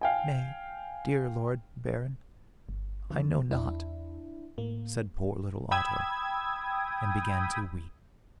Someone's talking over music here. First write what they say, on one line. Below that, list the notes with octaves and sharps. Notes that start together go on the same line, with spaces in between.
"Nay, dear Lord Baron, I know not," said poor little Otto, and began to weep.
F5 G5 G#5
G1
F2 D#3
E2 D4 E4
A2 A#3
G5 B5 D#6 E6 G#6